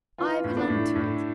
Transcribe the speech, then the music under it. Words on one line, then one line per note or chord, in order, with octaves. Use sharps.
I belong to it.
E3 F4
A2
D4
A2
A2